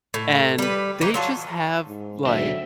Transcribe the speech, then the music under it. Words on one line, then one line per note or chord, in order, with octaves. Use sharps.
and they just have like,
A2
G3 B4
E3 D#4
F#3 F4 A5
G#2
D2 B2 F#3 C4 E5